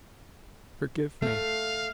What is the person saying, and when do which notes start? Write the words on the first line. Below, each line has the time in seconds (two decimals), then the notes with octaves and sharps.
"Forgive me!"
1.22 A3 F5